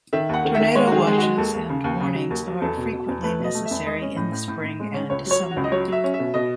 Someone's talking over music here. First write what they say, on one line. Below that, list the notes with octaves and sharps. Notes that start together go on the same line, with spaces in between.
Tornado watches and warnings are frequently necessary in the spring and summer.
D#3 E5
D#2 F#5
D#3
E5
D#3
G#3 C#5
F#4
D#3
G#4
G#3
G#4
F#4
G#3
D#2 A4
D#2
C#3
D#2
C#3
F#3
D#2
F#3
E2 A4
B2
B2
E2
A3 B4
B2 D#5
A3
E5
E2
G#3 D#5
C#4
A2
A2
A2
A2
G#3
C#4
C#2 C#5
F#3 C#5
F#3
F#4
C#2
D#5
F#3 C#5
F#3 E5
C#4
E5
B2
B2 D#5